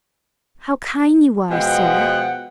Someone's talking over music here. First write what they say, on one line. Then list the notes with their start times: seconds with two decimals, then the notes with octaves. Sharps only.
"How kind you are, sir!"
1.50 B2 F3 G#3 F#5 G5